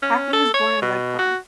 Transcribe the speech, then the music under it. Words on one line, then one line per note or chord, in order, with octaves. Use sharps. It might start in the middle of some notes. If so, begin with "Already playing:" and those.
Hackney was born in Redcar.
C#4
A4
C#5
B2
F#4